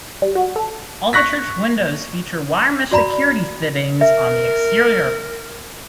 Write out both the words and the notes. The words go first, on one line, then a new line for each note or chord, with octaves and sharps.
All the church windows feature wire mesh security fittings on the exterior.
G3
F#4
A4
C#6 F#6 A#6 B6
F#4 D5 A#5 B5
A#4 E5